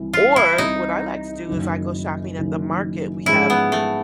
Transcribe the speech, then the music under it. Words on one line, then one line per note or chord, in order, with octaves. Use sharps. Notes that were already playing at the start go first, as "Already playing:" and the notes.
Or what I like to do is I go shopping at the market. We have
Already playing: C2 C3 E3
F4
E4
C2 C3 E3 D#4
F#1 F#2 D#3
F#1 F#2 D#3
G#2 F3 G#3 C#4 E4
B3
A3